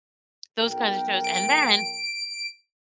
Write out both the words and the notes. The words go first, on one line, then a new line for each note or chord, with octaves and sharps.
those kinds of shows, and then
B1 A#4 G5
D7